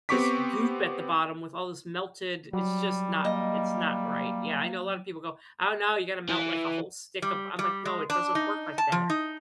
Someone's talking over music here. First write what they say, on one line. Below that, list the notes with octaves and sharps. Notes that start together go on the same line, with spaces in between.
this goop at the bottom with all this melted it's just not it's not right, yeah, I know a lot of people go, "Oh, no, you gotta melt, like, a whole stick of" I'm like, "No, it doesn't work like that."
B3 C4 G4 C#6 D6 B6
F#3 G3
A#3 D#5
E3
G3
G3
G#3
D4
D#4
A5
F3
D#4